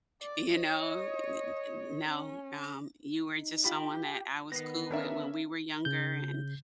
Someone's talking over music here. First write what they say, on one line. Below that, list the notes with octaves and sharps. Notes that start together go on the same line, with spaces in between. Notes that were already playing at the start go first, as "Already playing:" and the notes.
you know, u n n no, um, you were just someone that I was cool with when we were younger and
D5
C#5 D#5
C#4
D#4
F4 G4 B5
D#3 B3 A#6 C7
C#4 D4 A#4 E5 F5
C#3 G6